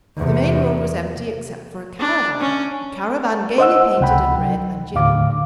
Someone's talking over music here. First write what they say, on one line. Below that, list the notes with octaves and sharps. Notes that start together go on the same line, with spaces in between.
The main road was empty except for a caravan--a caravan gaily painted in red and yellow.
E2 C3
D4
C#4
C5 D#5 F#5 E6
C#2 C3 F#5 G5 B5
F#3
D#2 A2 D3 F5 D6